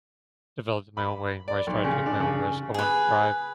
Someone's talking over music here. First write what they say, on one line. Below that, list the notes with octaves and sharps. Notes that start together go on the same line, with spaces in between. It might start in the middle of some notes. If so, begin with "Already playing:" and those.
developed in my own way where I started to take my own risk, I wanted to drive.
B5
D5
B1
C#3
D4
C#3
G#4 B4